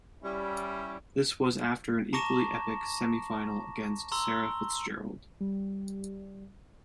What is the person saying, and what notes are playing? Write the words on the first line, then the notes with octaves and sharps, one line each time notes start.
This was after an equally epic semi-final against Sarah Fitz-Gerald.
G3 C#4 E4
A5 A#5 C#6 D6 A#6 E7
A#5 C6 E6 G7
G3